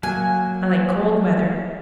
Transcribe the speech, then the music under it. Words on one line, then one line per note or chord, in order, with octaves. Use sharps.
I like cold weather.
F#3 A#3 G#5